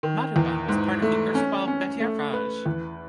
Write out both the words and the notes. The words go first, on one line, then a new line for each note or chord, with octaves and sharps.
Madhuban was part of the erstwhile 'Bettiah Raj'.
D#3
E2
G#2
A3
C#4
C#4
A3
B4
E2